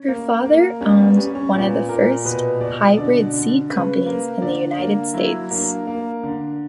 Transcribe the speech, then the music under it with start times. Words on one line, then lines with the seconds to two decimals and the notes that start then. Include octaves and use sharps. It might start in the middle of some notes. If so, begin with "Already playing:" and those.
Her father owned one of the first hybrid seed companies in the United States.
Already playing: C#4
0.08 A#3
0.45 A#3
0.81 G3 C#4
0.98 B3
1.16 G3 C#4
1.35 C#4
1.53 A#2 B3
1.89 A#2 A#4
2.25 B2 B4
2.61 B2 D5
2.97 D3 D5
3.34 D3
3.70 C#3 B4
4.06 A#3
4.42 D3 D5
4.78 A#3
5.14 F#3 E4
5.51 A#3 D4
5.87 A#3
6.23 D3